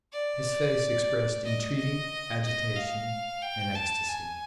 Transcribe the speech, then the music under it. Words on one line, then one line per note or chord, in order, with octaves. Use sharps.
His face expressed entreaty, agitation, and ecstasy.
D5
D#5
D#5
D#5
F5
G5
A5
G#5